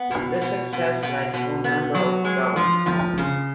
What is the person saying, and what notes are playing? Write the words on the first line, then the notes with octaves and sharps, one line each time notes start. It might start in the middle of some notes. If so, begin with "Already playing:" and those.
This success led to a number of problems, however.
Already playing: B3
B2
B2
B2
B2
B2
B3
F#3
G#3
F3
F3
C#3